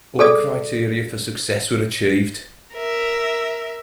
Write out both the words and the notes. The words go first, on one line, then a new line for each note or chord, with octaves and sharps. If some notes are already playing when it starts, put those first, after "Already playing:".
All criteria for success were achieved.
G#4 A4 D5 D#6
A#4 E5